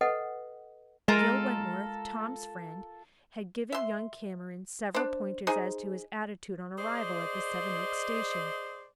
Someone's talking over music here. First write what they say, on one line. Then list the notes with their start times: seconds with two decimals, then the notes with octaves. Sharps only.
Gil Wentworth, Tom's friend, had given young Cameron several pointers as to his attitude on arrival at the Seven Oaks station.
0.01 A4 B4 D#5 F#5 G5
1.08 G#3 F4 A4 A#4
3.72 E5 C6
4.94 D4 C5
5.47 D#4 G#4 C5
6.78 G#4 C5 D5 D#5